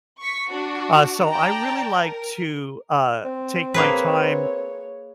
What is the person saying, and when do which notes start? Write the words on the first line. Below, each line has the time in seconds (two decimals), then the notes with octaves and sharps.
Uh, so I really like to, uh, take my time,
0.19 C#6 B6
0.49 D4 F#4
1.30 D5 G5 A5 A#5
2.06 A#4
3.25 C4
3.74 A#3 G#4 B4 C#5